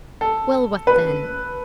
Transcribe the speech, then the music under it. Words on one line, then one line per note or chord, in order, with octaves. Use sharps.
Well, what then?
A4
B4